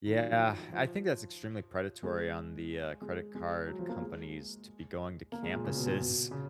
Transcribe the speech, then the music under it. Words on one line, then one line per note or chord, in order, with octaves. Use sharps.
Yeah, I think that's extremely predatory on the, uh, credit card companies to be going to campuses
D#3
F#3
F3
F3
G#3
G#3
G#3
F#3
F3
A#3
G#3
A#3
G#3
A#2
C#3
B2
A#2
B2
C#3